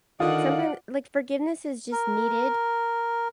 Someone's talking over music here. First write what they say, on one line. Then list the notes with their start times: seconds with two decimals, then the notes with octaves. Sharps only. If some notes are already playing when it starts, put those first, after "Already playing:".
sometim like forgiveness is just needed,
0.20 D3 D#3 F4 D5 D#5 F#5
1.92 A#4